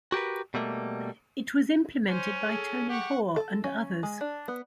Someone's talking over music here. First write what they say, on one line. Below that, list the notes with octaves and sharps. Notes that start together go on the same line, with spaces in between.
It was implemented by Tony Hoare and others.
F#4 G4 A#4 B4
B2 G3 A3 A#3
C#4 C5
G#4 A4
G4 F#5 C#6
A4
C#4
G#3
D4
B3